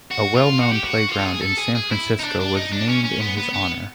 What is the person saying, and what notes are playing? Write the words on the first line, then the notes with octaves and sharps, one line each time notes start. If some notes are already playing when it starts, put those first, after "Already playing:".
A well-known playground in San Francisco was named in his honor.
F#4
F4
F#4
G4
F#4
F4
A4
G#4
A4
G#4
G#4
E4
D#4
D4
D4
D#4
D4
C#4
C#4
B3
B3
B3